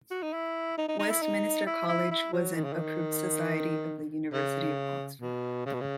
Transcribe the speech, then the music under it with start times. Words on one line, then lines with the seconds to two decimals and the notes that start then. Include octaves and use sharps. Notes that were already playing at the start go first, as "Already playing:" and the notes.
Westminster College was an "Approved Society" of the University of Oxford.
0.10 F#4
0.22 D#4
0.33 E4
0.78 D#4
0.88 D#4
0.99 D#4
1.10 E4
1.22 D#4
1.66 E4
1.88 E4
2.11 E4
2.33 F#3
2.55 D#3
2.64 C#3
2.73 D#3
4.33 C#3
5.21 B2
5.66 C#3
5.73 B2
5.81 C#3